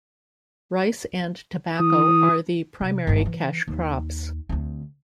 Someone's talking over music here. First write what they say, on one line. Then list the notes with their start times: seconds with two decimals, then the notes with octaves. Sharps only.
Rice and tobacco are the primary cash crops.
1.80 E3 D#6
2.81 C3
3.07 G1 G#2
3.26 E3
3.68 D#2
4.49 D2 C4